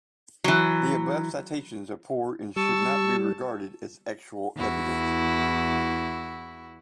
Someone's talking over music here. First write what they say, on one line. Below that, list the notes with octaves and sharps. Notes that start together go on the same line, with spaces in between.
The above citations are poor and should not be regarded as actual evidence.
E3 F#3
G3 A5 C#6 E6
E2 E4 F#4